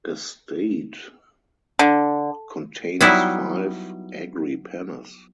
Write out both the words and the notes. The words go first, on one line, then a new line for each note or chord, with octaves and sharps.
A stade contains five agripennes.
D3
F#3 G3 B3 D#4 E4